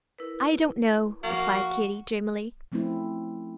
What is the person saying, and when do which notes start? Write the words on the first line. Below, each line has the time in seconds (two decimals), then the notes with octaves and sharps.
"I don't know," replied Katy, dreamily.
0.18 E4 A#4 B4
1.24 F3 A#3 F#4
2.72 F3 A3 C4 C#4 E4